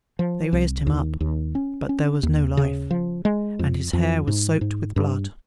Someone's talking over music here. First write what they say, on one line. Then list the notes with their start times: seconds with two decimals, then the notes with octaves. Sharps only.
They raised him up, but there was no life, and his hair was soaked with blood.
0.19 F3
0.53 C2
0.87 D#2
1.21 D#2
1.55 C#4
1.89 C#4
2.23 D#2
2.57 C#3
2.91 F3
3.25 G#3
3.59 F2
3.93 F2
4.27 G#2
4.61 G#2
4.96 G2